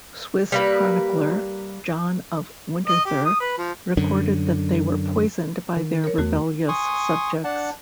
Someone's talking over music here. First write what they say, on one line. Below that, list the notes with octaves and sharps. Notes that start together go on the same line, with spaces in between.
Swiss chronicler John of Winterthur recorded that they were poisoned by their rebellious subjects.
G3 A#3 B4
D#5
G4
D#6
B4
F3
F#2 D3
D#3
A#4 C#5
E2 A3 F#4
G#5 C6 C#6 D#6
D4 F#5 A5